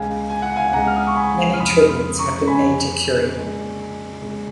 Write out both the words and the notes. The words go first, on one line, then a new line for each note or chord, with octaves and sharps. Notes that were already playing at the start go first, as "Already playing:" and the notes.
Many tributes have been made to Currie.
Already playing: C#2 C#3 G#3 F5 G#5
G#5
F#5
F5 G#5
C#2 C#3 G#3 F#5 A#5
F6
D#6
C#6
G#5 B5
F6
F2 C#3 F3 B5 D#6
F6
B5 D#6
A#5 C#6
F2 C#3 F3 G#5 B5
A#2 G#3
A#2 G#3